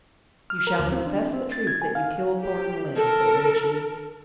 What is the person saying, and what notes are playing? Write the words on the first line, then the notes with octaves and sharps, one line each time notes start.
"You shall confess the truth that you killed Thornton Lyne," said Ling Chu.
F6
A#4
D2
C4
D4
C4
A6
G#6
G#5
F5
G4
A4 A#4